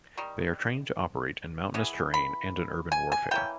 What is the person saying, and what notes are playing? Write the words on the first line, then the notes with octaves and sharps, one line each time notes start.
They are trained to operate in mountainous terrain and in urban warfare.
D#3 G3
E3 G#3 B3
B5
G#5
G#5
E3 A#3 C#4 G5